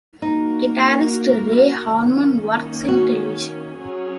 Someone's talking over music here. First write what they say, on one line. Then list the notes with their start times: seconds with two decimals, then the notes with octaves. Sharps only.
Guitarist Ray Harman works in television.
0.22 A#3 D#4 F#4 A#4
1.99 D#3 A#3 C#4
2.88 F#4
3.77 F#3 C#4 G#4 C#5